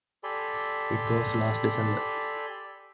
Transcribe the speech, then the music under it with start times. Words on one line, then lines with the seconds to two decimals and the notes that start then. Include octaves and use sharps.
It was last December.
0.24 G4 A4 D5 G#5 B5 C6